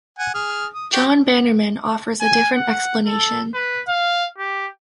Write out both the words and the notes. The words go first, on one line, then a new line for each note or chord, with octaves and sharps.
John Bannerman offers a different explanation.
F#5 G#5
G#4 F6
D#6
F#4 G4 C#5
G#5
F#5
A4
B4
F5
G4